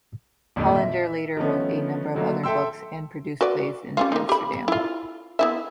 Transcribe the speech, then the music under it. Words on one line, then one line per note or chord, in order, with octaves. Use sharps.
Hollander later wrote a number of other books and produced plays in Amsterdam.
G#1 F2 A#2 D3 D#3
E5
D#3 F3 A3 B3 C#4
D3 D#3 F#3 A3 A#3
A4 E5 G5 C6 E6
F#4 B4 D5
G3 C#4 F4
A#3 D#4
G4 B5
E4 F4
B3 E4 E5